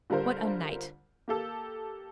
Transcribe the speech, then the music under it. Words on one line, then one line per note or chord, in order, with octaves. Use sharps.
What a night!
D3 G3 F4 A#4 C5
A#3 G4 A4